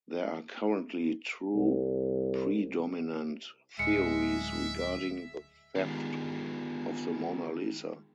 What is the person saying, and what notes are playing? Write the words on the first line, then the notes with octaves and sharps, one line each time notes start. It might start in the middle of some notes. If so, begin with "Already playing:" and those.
There are currently two predominant theories regarding the theft of the "Mona Lisa".
C2
D1 G#3 E5 C#7
D#3 G#3 B3 F4 G4